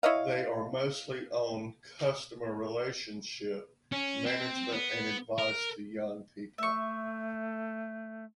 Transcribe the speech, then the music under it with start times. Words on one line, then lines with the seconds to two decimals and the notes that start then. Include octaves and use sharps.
They are mostly on customer relationship management and advice to young people.
0.03 E4 C#5 D#5 F5
3.92 C#4
4.26 C4
4.72 B3
5.39 A#4
6.58 A3 E5 C#6